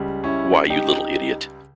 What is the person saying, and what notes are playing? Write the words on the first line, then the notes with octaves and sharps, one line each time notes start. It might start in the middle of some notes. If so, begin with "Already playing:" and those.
Why, you little idiot!
Already playing: C#2 C#3 G3
C#4 E4
D#4 G4